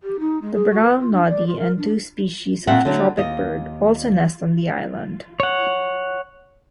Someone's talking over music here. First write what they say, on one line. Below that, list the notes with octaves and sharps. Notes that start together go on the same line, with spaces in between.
The brown noddy and two species of tropicbird also nest on the island.
G4
D#4
G#3
G#4
F#4
B4
F4
D4
D5
F4
A#4
D4
A#2 C4 E5 F#5
D3 F#3 A3
D#2 D#5
C#5 F#5